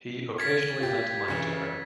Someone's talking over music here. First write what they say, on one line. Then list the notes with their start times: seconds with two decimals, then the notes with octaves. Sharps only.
He occasionally lent money to her.
0.38 F6 G#6 A6 B6
0.80 F4 G4
1.28 C#3 E3